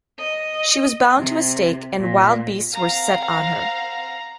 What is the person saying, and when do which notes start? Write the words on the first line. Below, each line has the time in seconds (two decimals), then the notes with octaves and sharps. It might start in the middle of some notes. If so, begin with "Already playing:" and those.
She was bound to a stake and wild beasts were set on her.
0.18 D#5
1.18 C3
2.00 A#2
2.73 C4 F5 F#5 A#5